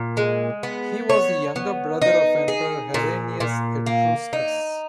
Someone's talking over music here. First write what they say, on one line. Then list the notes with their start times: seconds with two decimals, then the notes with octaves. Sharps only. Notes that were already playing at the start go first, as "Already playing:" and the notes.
He was the younger brother of emperor Herennius Etruscus.
Already playing: A#2
0.17 G#3
0.63 B3
1.10 C#5
1.56 B3
2.02 D#4
2.48 G#4
2.94 A#2
3.40 A#2
3.86 A#3
4.33 D#4